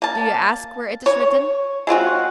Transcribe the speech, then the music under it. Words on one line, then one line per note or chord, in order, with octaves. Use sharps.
Do you ask where it is written?
A#3 A5
C#5
G#3 C4 F4 F#4